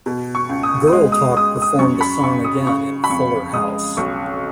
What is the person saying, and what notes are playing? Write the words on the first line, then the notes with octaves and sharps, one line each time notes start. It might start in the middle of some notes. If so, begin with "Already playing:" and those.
Girl Talk performed the song again in "Fuller House".
B2
C#6
C#2
D#6
G#3 D#6
D#6
G#3 D#6
D#6
F#2 C#6
B5
C#3 C#6
D#6
C#3 C#6
B5
F2 C#6
G#3 D#6
B1 C#6